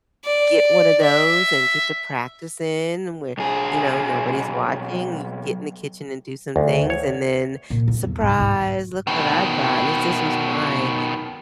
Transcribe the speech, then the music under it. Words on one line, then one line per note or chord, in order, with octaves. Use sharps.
get one of those and get to practicing where, you know, nobody's watching. You get in the kitchen and do some things and then, "Surprise, look what I brought. This this was my,
D5
E5
B1 G#4
D2
C#5
A#2
F2
E2 F#3
G#2 C3
G#2 A3
B2 D#3